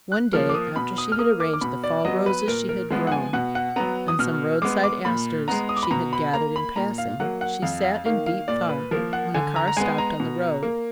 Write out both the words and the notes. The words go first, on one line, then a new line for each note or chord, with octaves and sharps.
One day after she had arranged the fall roses she had grown, and some roadside asters she had gathered in passing, she sat in deep thought, when a car stopped on the road.
F#6
F3 A#3 F6
D6
D#6
B2 B5
D#6
F6
A#3 D#6
D6
D6
B2 B5
D5
F#3 B3 D#5
B4
A#2 A#4
A#4
F3 G#3 B3
F#5
G#5
B2 F#5
F#5
F#3 B3 A#5
D#6
B2 F6
G#3 B3 D6
D6
A#2 B5
G#3 B3 A#5
D#6
D6
B5
B2 A#5
B5
A#3 A#5
B5
A#2 A#5
F5
F#3 A#3 F#5
F#5
F2 F5
F5
D#3 A#3 F5
F5
A#2 D5
B4
F3 A#3 A#4
F#5
D3 G#5
A#5
A#5
G#3 B3 G#5
A#5
B2
A#3